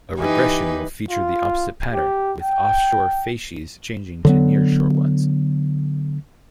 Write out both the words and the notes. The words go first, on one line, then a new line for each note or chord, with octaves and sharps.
A regression will feature the opposite pattern, with offshore facies changing to nearshore ones.
E3 D#4 G4 B4 G#5
F4
G4
G5
D3 F#3 B3